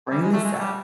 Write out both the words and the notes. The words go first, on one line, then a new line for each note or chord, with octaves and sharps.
bring this up,
G3
G#3
A3
G#3
F#3
G3